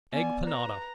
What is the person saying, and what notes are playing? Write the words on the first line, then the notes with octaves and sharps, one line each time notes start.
Egg Panada.
B3 D5 G#5
B4 A#5